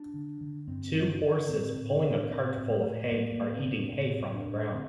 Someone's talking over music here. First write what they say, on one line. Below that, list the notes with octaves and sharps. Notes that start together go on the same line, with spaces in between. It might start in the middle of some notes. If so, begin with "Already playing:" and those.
Two horses, pulling a cart full of hay, are eating hay from the ground.
Already playing: D4
D3
D3
G2 C4
D3
D4
D3
A2 C4
A2
D4
C4
A2 D4
A2 C4
A2
A3
A2
A2 A#3
A#3
A2
C4
A2
D4
A2 C4
A2
D4
A2
D3 C4